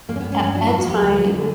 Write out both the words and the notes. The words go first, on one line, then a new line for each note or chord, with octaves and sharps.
at bedtime,
G2 A#3
C#4
B3
G2
C#4
G2 B3 C#4
F#3 D4
E4
A#3
F#4
F#3 G4
D2 B4
F#3
D3